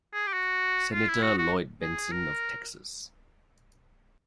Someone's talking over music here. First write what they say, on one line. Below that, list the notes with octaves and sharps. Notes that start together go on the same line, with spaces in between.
Senator Lloyd Bentsen of Texas.
G#4
G4
F#4
F4
E4
F#4
F#4
G#4
A#4